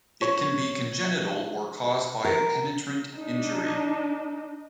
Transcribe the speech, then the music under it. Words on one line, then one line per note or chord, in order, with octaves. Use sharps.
It can be congenital or caused by a penetrant injury.
C#5
A#4
D4 D#4